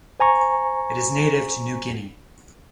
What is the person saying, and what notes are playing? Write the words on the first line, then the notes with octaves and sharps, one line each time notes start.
It is native to New Guinea.
C5 G#5 A#5 C#6